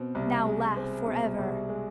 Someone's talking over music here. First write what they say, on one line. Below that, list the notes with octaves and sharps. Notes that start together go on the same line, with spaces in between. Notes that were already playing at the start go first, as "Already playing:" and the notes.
"Now laugh for ever!"
Already playing: B2 C4
C2
G#3
C4
B2
C2
G#3